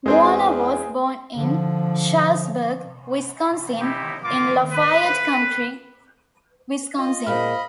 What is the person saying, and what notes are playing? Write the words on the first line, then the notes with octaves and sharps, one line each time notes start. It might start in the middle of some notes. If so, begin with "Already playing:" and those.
Warner was born in Shullsburg, Wisconsin, in Lafayette County, Wisconsin.
E2 G#3 C4 G#4
D3 F3
D#4 E4 G4
A#3 F4 D6
B4
F4 D#5
A#2 G#3 C5 D#5 F5 B5 F6